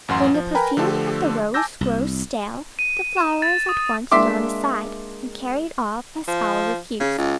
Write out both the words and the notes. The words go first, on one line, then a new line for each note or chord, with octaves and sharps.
When the perfume of the rose grows stale, the flower is at once thrown aside, and carried off as foul refuse.
A1 F#2 F#5 C6
F3
A#4 B4 G5 G#5 A#5 B5
D3 F3 A3 G4 A4
G#5 A5 D6 E6 G6 A#6
C2
D#7
E7
A6
D#6
G#3 A#3 D4 E5 C6 D6
F3
C#3
C#2